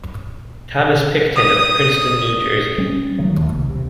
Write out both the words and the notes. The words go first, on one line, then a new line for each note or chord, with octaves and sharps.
Thomas Picton of Princeton, New Jersey.
D#6
G3 C#4
D#3 F#3 A3
D#2
C2
C3